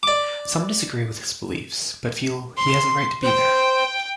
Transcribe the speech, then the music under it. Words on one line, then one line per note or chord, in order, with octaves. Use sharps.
Some disagree with his beliefs, but feel he has a right to be there.
D5 D6
C6
C5 G5